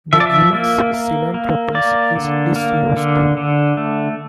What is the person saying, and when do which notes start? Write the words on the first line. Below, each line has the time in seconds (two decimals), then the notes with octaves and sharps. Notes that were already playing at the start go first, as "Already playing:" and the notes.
The genus "Sinanthropus" is disused.
0.13 F3 E5
0.20 D5
0.27 E5
0.53 A#3
0.94 A#3
1.34 A#3
1.75 A#3 D5
2.15 D3
2.56 A#3
2.97 D3
3.37 D3
3.77 A3